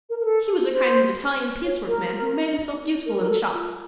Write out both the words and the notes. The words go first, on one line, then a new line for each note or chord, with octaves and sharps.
He was a kind of Italian piece-work man, who made himself useful in the shop.
A#4
A#4
A4
C5
C#5
A#4
A#4
A#4
A4
F4